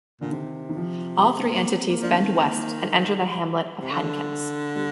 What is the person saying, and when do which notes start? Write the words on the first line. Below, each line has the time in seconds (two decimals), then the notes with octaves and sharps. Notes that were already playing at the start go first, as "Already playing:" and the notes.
All three entities bend west and enter the hamlet of Hankins.
0.21 A#2 D3
0.32 C3 D#3
0.69 D#3
0.77 F3
1.22 G3
1.45 A#3
1.66 C4
1.89 A#3
2.02 F3 D4
2.12 D#3 C4
2.42 A#3
3.80 C3
3.91 D3
4.76 G3